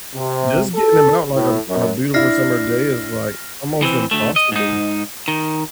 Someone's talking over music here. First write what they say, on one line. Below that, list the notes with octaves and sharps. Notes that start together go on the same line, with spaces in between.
just getting 'em out, like, on on a beautiful summer day is, like, almost impossible,
C3
A4
A2
F#2
D4 E4 F6 A#6 C7
E3 C4
D2 A3
D#5
G#2 D#4
D#3